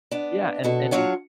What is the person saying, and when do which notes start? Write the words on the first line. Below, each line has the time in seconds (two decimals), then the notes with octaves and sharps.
yeah, and and
0.11 B3 D4
0.64 B2 F#4 A4
0.91 F#3 D4 F4 C#5 F#5